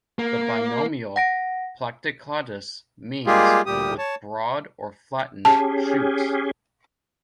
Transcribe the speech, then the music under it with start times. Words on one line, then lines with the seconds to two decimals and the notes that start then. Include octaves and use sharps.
The binomial "Platycladus" means "with broad or flattened shoots".
0.19 A#3
1.16 F#5 A#6 D7
3.27 G3 G#3 A#3 F4 G4 G#4
3.66 D2 A#2 G3 G4 D#6
3.98 C#5 A5
5.45 C#4 G4 G#4 A5